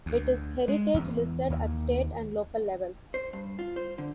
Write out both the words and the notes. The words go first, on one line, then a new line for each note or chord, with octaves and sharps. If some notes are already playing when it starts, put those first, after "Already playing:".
It is heritage-listed at state and local level.
D2
G#3
E2
D#2
C5
G2
F4
C5
D3